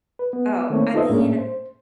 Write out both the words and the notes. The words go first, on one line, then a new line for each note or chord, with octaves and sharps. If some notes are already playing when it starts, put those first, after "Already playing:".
Oh, I mean,
B4
B3
D#3 A3 A#3 C4 C#5
D#4 F4 A4 C5 D#5 E5
A2 G#3 A#3 C#4 D4 G#4
C5